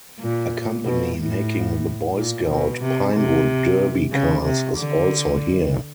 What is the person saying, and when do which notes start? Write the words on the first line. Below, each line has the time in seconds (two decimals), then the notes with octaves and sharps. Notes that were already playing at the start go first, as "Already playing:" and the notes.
A company making the Boy Scout Pinewood Derby cars is also here.
0.20 A#2
0.86 B2
1.18 A2
2.16 A#2
2.49 B2
2.81 C3
3.14 C3
4.12 C#3
4.44 C3
4.77 D3